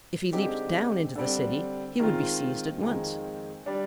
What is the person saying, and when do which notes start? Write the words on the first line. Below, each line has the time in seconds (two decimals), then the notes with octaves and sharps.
If he leaped down into the City he would be seized at once.
0.33 D3 G#3 C4 D#4 G4
1.15 D3 G3 C4
2.00 D#3 G#3 C4 F4
2.82 F2 D#3 G#3 C4
3.66 G3 D4